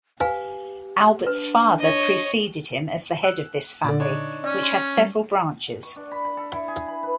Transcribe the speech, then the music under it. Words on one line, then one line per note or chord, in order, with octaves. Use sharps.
Albert's father preceded him as the head of this family, which has several branches.
G4 B4 F5 G#5
D4 B4
C#5 D#5
E6 F#6
A#2 D3 D5
D4 D#4 C#5
C#4 D5
C6
G3
C#6
D4
B5
B5
A4
E4
G#4
B5
B4